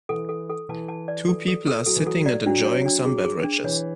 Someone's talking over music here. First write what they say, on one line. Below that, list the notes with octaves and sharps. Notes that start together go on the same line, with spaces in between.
Two people are sitting and enjoying some beverages.
E3 A4
A4
A4
E3 A5
A5
D5
A4
A4
A4
F#3 A4
E3
F#3 A4
D5
F#3 D4
C#5
D4
G#4
G#4
D4
E3 C#5